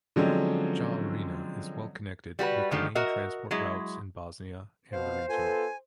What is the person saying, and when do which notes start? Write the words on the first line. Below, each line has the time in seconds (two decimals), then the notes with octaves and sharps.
Jahorina is well-connected with the main transport routes in Bosnia and the region.
0.16 D3 F3 F#3 G#3 C4 C#4
2.39 G3 F#4 A#4 B4
2.71 D3 D#3 F3 G#3 A3 G4
2.95 F#4 A#4 D#5 E5
3.51 F#3 G#3 E4
4.93 B2 C5 F5
5.29 B3 F4 A4 G#5